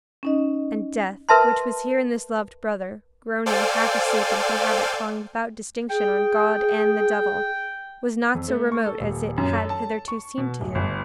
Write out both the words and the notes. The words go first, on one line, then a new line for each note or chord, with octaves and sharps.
And death, which was here in this loved brother, groaning half asleep and from habit calling without distinction on God and the devil, was not so remote as it had hitherto seemed to him.
C#4 D#4 D#5
A#4 B4 E5 A5 C6
A4 C5 D5 F5 G5 G#5
G#4 G5
F2
A3
C#6
A4
D#1
F#2
A4
A5
C#6
B2
D1
G1